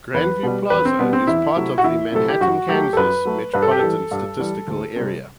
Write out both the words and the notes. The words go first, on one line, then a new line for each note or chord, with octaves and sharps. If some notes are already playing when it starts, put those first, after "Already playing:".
Grandview Plaza is part of the Manhattan, Kansas Metropolitan Statistical Area.
E2 B4
B2 G3
E2 B4
C4
B2 G3 B3
C4
E2 E4
C3 F#3 A3
F#4
E2 E4
C3 F#3 A3 A4
G4
F#2 F#4
F#3 A3 G4
A4
F#2 B4
F#3 A3
G2 B4
A4
G4
E3 G3 A4
G2
E3 G3
D2
C3 G3